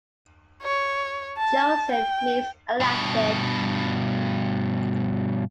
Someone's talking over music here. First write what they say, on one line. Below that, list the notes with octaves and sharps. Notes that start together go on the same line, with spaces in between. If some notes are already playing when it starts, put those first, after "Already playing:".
"Chosen" means elected.
C#5
A5
G5
G2 B2